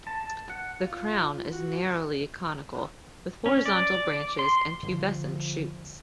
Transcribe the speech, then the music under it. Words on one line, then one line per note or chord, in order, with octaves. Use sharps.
The crown is narrowly conical with horizontal branches and pubescent shoots.
A5
F#5
F4
F#4
C#4
D5
C6
D3 F3